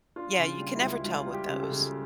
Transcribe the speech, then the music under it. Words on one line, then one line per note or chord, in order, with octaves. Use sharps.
yeah, you can never tell with those,
D4 F4
C#3
F4
G3
E4
C#2
C#2 F4
G3
G4
C#3
A4
C#3